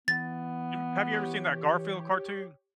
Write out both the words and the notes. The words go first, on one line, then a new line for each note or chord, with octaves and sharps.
You have ever seen that Garfield cartoon?
E3 B3 A6
G4 C#5